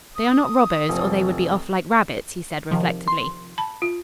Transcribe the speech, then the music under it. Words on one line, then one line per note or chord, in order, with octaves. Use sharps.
"They are not robbers or they would be off like rabbits" he said reflectively.
D#6
F1 F3
C3 D#3 F3
C6
A5 B5
F4